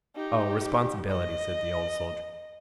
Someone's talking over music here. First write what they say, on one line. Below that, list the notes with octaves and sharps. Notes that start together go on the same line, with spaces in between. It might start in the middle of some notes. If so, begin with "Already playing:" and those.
Responsibility!' said the Old Soldier.
D#4 G4
D#5